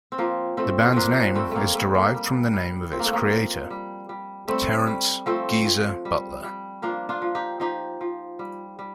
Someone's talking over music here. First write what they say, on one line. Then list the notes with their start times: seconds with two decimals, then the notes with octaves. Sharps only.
The band's name is derived from the name of its creator: Terence "Geezer" Butler.
0.12 C4
0.18 F3 A#3
0.57 F3 A3 C4
0.93 F3 A#3 C4 D4
1.35 G3 A3 C4
1.51 A3 A#3
1.75 G3 A3
1.94 A#3
2.14 G3
2.53 G3
2.92 F3 C4
2.99 A#3
3.06 A3
3.13 A#3
3.31 F3
3.70 G3
4.09 G3
4.48 G3 A3 C4
4.87 G3
5.26 F3 A3 C4
5.66 F3
6.05 G3
6.44 G3
6.82 F3 A#3 D4
7.09 D4 F4
7.22 F3
7.35 D#4 G4
7.60 F3 D#4 G4
8.01 F3
8.39 G3
8.79 G3